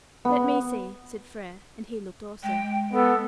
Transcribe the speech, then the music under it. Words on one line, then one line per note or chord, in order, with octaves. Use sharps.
"Let me see," said Frere; and he looked also.
B3
G#3 G5
B3 A4